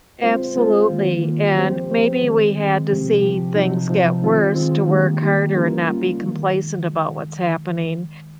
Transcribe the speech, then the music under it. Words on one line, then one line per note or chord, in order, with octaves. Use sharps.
Absolutely, and maybe we had to see things get worse to work harder and not be complacent about what's happening
G#3 C4 F4 C5
G#3 C4 F4 C5
D#3 A#3 F4
D#3 A#3 F4
F3 G#3 C4 G4 C5
F3 G#3 C4 G4 C5
D#3 G#3 C4
D#3 G#3 C4
C3 F3 C4 G4
C3 F3 C4 G4
C3 F3 C4 D#4
C3 F3 C4 D#4
D#3 G#3 C4 F4
D#3 G#3 C4 F4
D#3 G3 A#3 D#4 G4
D#3 G3 A#3 D#4 G4
G3 A#3 C#4 F4 A#4
G3 A#3 C#4 F4 A#4
D#3 G#3 D#4